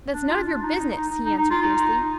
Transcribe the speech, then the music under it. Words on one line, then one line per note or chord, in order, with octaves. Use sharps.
"That's none of your business," he answered, fiercely.
D4
F4
D4
D#4
D#4
D#4
D#4
D#4
F4
D#4